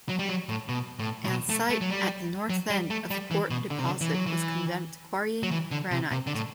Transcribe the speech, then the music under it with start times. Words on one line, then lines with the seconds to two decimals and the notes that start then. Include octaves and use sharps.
An site at the north end of Port Deposit was condemned to quarrying granite.
0.09 F#3
0.19 G3
0.29 F#3
0.49 A2
0.69 B2
0.99 A2
1.25 A2
1.29 B2
1.49 A3
1.70 A3
1.81 F#3
1.90 G3
2.50 F#3
2.70 G3
2.90 A3
3.10 G3
3.31 E3
3.50 B2
3.70 D3
3.79 C3
3.86 D3
4.01 E3
4.14 F#3
4.26 E3
5.43 F#3
5.51 E3
5.71 D3
5.91 C3
6.11 C3
6.27 D3
6.35 A2